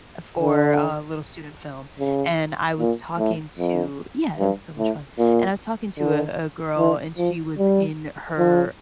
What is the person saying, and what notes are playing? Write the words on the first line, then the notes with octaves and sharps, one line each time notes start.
for a little student film, and I was talking to yeah, it was so much fun and I was talking to a a girl, and she was in her
D3
C#3
A#2
A2
F2
G2
A2
A#2
D3
E3
F3
G3
F3